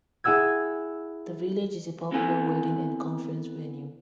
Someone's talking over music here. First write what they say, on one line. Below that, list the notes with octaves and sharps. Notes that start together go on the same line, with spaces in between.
The village is a popular wedding and conference venue.
E4 G#4 F#5 E6 G#6
B3 C4 E4 A4 B4 G#5